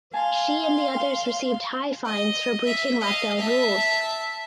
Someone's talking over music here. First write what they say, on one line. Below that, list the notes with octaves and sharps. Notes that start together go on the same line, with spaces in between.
She and the others received high fines for breaching lockdown rules.
F5 G#5 A5 C6
D#5
E5
D#5 F5
E5 A5